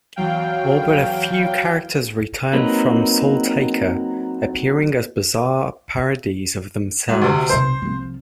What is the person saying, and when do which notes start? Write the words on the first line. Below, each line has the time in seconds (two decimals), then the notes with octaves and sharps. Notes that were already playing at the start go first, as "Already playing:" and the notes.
All but a few characters return from SoulTaker, appearing as bizarre parodies of themselves.
0.16 E2 F#3 F5 G5
2.53 F#3 A#3 C4 D#4 B4
7.09 G#2 B2
7.22 D2 C3
7.50 B1 C3 C5
7.82 C2 F3